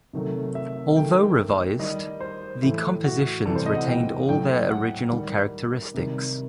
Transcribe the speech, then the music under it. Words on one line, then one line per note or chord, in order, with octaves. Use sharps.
Although revised, the compositions retained all their original characteristics.
C3 D#3 F#3 A3
E5
D#3 F#3 A3 G5
D#3 G3 D#5
C5
A2 E3 A3 E4
F#4
C3 E3 G3 A4
C5
D#5
F#5
G5
A2 F#3 A3 G5
F#5
D#3 G3
C3 D#3 G3